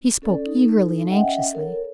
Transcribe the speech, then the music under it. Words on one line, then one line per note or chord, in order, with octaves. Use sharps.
He spoke eagerly and anxiously.
C#4 A4 D5
D#4 A4
C#4 D#5 E5 F#5 G5
A4 A#4 C#5